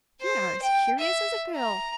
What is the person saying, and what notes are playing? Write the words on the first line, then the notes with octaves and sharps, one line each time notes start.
'You are as curious as a girl.
C5
G5
E5
A#5